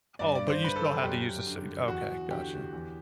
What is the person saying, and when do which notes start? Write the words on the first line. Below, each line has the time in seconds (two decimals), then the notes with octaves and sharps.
Oh, but you still had to use a s okay, gotcha.
0.19 G2 D5
0.35 D5
0.48 C5
0.62 D3 B4
0.76 A4
1.03 F#2 G4
1.47 D3
1.88 E2 F#4
2.31 D3 G4
2.73 E2